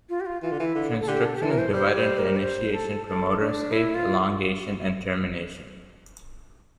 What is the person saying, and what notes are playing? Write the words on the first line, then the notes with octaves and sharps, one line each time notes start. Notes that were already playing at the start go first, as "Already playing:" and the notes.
Transcription is divided into "initiation", "promoter escape", "elongation," and "termination".
F4
G4
F4
E3 F4
D3
E3 E4
D3
A4
D3 G4
A4
G4
E3 A4
A#4
C5
G3 C5
C5
A#4
D5
C5
A4
A4
D4
E4
F4